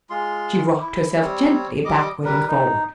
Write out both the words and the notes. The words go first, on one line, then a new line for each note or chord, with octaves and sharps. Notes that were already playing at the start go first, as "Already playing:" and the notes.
She rocked herself gently backward and forward.
G#3 F4 C6
E4
G3 C4 C#5
G3 D#5 D6
G3 A#4 B4
D#4